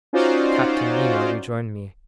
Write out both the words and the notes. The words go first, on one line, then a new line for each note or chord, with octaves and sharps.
Captain Nemo rejoined me.
C#4 D#4 F4 F#4 C5 D5